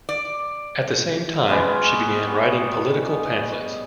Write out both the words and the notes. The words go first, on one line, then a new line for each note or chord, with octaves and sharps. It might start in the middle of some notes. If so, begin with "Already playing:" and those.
At the same time, she began writing political pamphlets.
D5
G3 G#3 B3 C#4